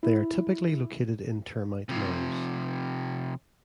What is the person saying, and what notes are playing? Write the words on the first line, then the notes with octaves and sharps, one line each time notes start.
They are typically located in termite mounds.
E4
C3 F3